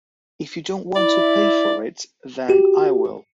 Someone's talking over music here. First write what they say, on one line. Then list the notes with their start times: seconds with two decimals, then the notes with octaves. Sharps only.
If you don't want to pay for it then I will.
0.96 E4 D5
2.49 F#4 G4